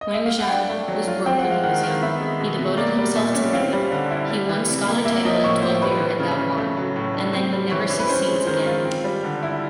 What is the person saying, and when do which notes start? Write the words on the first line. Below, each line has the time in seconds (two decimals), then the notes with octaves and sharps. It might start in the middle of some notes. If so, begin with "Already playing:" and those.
Wang Zhang was broke when he was young. He devoted himself to learning. He won scholar title at twelfth year of Daoguang, and then he never succeeds again.
0.01 D#5
0.14 E5
0.26 F5
0.38 F#5
0.49 D4 G5
0.69 A3
0.88 F#3
1.07 F4
1.26 C4 G5
1.39 F#5
1.44 G#3
1.51 F5
1.63 D#3 F#5
1.83 D#3
2.02 B3 E5
2.21 G#3
2.40 B2
2.59 B2
2.77 A#3 D5
2.97 G3
3.16 A#2 E5
3.34 C#4
3.53 C4 F5
3.73 G3
3.92 D3
4.11 E4
4.30 G3
4.49 E3
4.68 C3
4.86 A#3
5.05 A#3 E5
5.25 F3 D#5
5.44 A2 C#5
5.62 A2 C5
5.82 G3 B4
6.00 E3
6.20 C#3
6.38 C#3
6.58 A3
6.77 F#3
6.96 A2
7.15 D4
7.33 C4 C5
7.53 G3
7.71 E3 C#5
7.90 E3
7.99 B4
8.09 C#4 C5
8.28 G#3
8.47 D#3 C5
8.66 F4
8.85 C4
9.04 G3
9.24 D3
9.43 E4